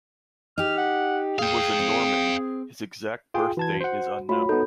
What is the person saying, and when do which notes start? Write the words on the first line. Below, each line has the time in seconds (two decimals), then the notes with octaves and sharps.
He was a Norman; his exact birth date is unknown.
0.58 D#4 G4 F6
0.78 F#5
1.39 G#4 F5 G5
1.79 C4
3.34 F4 G#4 G5
3.57 E3 F#4 A5 G#6
3.81 C5 F#5
4.29 A3 F4 F#4 C#5 B5
4.49 B3 D#4 A4 B5 G6